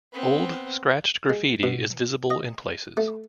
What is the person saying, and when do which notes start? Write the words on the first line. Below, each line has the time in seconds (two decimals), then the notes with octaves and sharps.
Old scratched graffiti is visible in places.
0.13 B3 C4
1.30 G#3
1.63 B2
2.30 D#5
2.97 A3